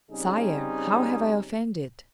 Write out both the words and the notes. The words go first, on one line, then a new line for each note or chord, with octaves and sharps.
"Sire, how have I offended?"
C#3 G3 C4 C#4 D#4 G#4